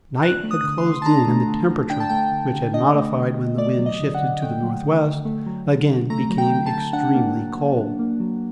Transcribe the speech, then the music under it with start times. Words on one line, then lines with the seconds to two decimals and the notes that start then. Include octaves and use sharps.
Night had closed in, and the temperature, which had modified when the wind shifted to the northwest, again became extremely cold.
0.22 D4 F#6
0.43 A3
0.51 D#6
0.64 D3
0.78 C6
0.85 D3
1.02 A5
1.06 D4 A#5
1.27 A3
1.48 D3
1.69 D3
1.90 D4 G5
2.00 A5
2.09 A3 G5
2.32 D3
2.53 D3
2.74 D4 D#5
2.95 A3
3.16 D3
3.37 D3
3.58 A3 D5
3.79 F#3
3.86 D#5
4.00 D3
4.15 F#5
4.22 D3
4.42 A3 G5
4.63 F#3
4.84 D3
5.05 D3
5.25 A3
5.46 F#3
5.68 D3
5.89 D3
6.10 A3 A#5
6.30 F#3
6.38 G5
6.51 D3
6.66 A5
6.72 D3
6.93 D4 F#5
7.14 A#3
7.36 F#3
7.57 F#3
7.77 D4
7.99 A#3
8.20 F#3